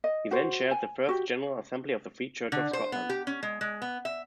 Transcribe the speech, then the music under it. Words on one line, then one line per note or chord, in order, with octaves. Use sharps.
He then chaired the first General Assembly of the Free Church of Scotland.
D#5
F#4 C5
G#5
F#4 G4
D3
C5
B3
G4
C#4
G#3
G#3
B3
E5